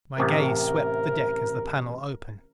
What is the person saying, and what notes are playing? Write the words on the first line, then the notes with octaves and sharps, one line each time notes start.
My gaze swept the deck as the panel opened.
A1 C3 A#4